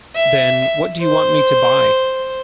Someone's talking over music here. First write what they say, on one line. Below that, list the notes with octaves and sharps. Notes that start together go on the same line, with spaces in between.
Then, what do you want me to buy?
E5
C5